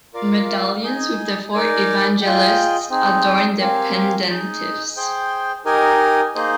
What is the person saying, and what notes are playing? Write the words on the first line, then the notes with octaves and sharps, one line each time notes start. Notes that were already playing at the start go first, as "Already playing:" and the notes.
Medallions with the Four Evangelists adorn the pendentives.
F4 A#4 D5 F5
D#4 G#4 D#5 G#5
D#4 A#4 D5 G#5
F4 G#4 D#5 G5
C4 D#4 G#4
C4 G4 A#4 F5 G#5
D#4 G#4 D#5
G#4 C5 G5
D#4 G4 A#4 D#5 G#5
A#3 D#4 G#4 C5 D#5